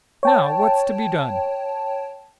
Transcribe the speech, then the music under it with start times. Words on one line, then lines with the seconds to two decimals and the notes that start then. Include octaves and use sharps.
"Now, what's to be done?"
0.23 C#5 G5 A5